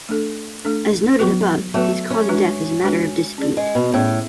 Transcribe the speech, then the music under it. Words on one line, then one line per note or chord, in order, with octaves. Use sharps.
As noted above, his cause of death is a matter of dispute.
A3 D4 A4
A3 D4 A4
F#3 B3 F#4 B4
F#3 A3 B3 F#4 B4
C#4
G#3 D4 F#4 B4
G#3 D4 F#4 B4
C#4 G#4 D5
G#3
B2
A2 C#4 G#4 D5